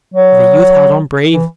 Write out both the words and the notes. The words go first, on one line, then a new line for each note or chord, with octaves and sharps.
The youth held on bravely.
F#3
E3